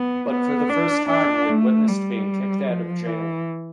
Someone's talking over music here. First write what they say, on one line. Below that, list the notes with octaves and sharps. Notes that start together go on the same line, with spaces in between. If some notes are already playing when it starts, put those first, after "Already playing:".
But for the first time, we witnessed being kicked out of jail.
Already playing: B3
B3
D4
D4
A3
G3
F3
E3